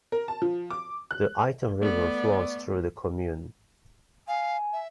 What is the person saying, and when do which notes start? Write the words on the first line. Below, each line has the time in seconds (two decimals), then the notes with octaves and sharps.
The Iton river flows through the commune.
0.12 A#4
0.28 A5
0.42 F3
0.70 D6
1.11 F#6
1.82 A3 B3 D5
4.28 F5 G#5
4.73 E5